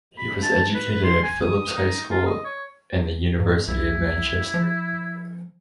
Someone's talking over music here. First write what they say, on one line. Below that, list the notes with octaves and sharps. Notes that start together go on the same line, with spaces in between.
He was educated at Philips High School and the University of Manchester.
B5
A5
B4
B4
C6
G#5
D#6
D#4
F4
D#5
C#5
G#2
C2 E4
F3